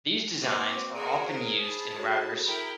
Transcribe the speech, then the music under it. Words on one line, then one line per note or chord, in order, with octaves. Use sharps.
These designs are often used in routers.
A#3 C4 F#4 B4 D6 D#7
F#4 G#4 A#4 D7 D#7
A#4 C5 C#5
A5 B5
F#4 A4 C#5
E4 A#4 G5 B5